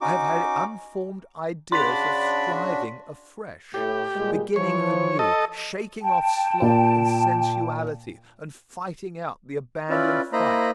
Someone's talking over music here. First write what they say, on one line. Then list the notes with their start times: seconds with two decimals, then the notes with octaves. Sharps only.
I have had unformed ideas of striving afresh, beginning anew, shaking off sloth and sensuality, and fighting out the abandoned fight.
0.01 C#4 D#4 F#4 D6
1.72 C#3 D4 F#4 D5 B5 C6 B6
3.74 A2 G4
4.14 A#2 G3 G#3
4.56 E3 F3 C#5
5.19 A4 D#5
6.01 G5 A5
6.62 A#2
9.90 C#4 E4 F4 B4 D5
10.33 A#3 E4 C5 D#5 A#5 B5